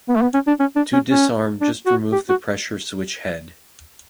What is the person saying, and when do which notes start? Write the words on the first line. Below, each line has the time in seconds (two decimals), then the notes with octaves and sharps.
To disarm just remove the pressure switch head.
0.09 B3
0.16 A3
0.22 B3
0.34 C#4
0.47 D4
0.60 C#4
0.76 D4
0.93 C#4
1.10 C#4
1.61 D4
1.86 F#4
2.13 G4
2.29 F#4